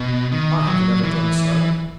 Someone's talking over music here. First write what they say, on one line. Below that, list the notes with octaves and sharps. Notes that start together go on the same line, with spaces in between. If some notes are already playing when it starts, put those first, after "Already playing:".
"I have never done so."
Already playing: B2
D#3
F#3
E3